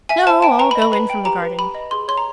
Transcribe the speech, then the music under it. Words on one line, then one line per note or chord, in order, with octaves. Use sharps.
"No, I'll go in from the garden."
E5 G#5
C5 A5
G5 A5
B4 A#5
B5
D#5
B5
B4 B5
G5
G4 A#5
B4
G4 B5
D#5
G#4 C6
C#5 C6
A#5